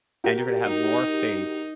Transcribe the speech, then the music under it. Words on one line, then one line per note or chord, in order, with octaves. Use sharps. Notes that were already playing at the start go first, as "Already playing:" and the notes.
and you're gonna have more faith
F#4 G4 A#4
D#4